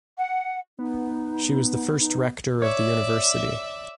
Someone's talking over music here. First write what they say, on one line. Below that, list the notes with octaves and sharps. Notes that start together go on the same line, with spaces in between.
She was the first rector of the university.
F#5
B3 D#4
D#4
C#5 D5 E5